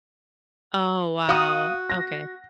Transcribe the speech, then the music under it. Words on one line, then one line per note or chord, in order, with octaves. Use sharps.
Oh, wow. Okay.
F#4 F5 D#6
A#6